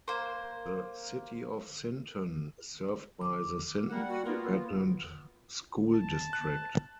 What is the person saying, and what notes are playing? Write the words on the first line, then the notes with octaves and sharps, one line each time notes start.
The City of Sinton is served by the Sinton Independent School District.
A#3 C5
D6
G3 A#3 F#5
F#4
A#3 B3 F4
A5
F#6